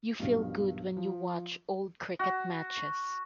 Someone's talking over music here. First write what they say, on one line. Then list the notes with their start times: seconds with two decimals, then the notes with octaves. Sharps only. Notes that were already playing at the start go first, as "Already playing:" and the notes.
You feel good when you watch old cricket matches.
0.20 B1 G2 A#2
0.97 F3
2.19 F#4